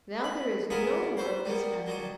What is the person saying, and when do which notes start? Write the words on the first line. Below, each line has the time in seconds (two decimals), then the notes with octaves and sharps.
Now there is no more of this matter.
0.24 B5
0.70 B3 F4 G#4 A#4 E5
1.17 B4 C5 C6
1.45 G3 A#3 B3
1.86 F#3 G3 D#5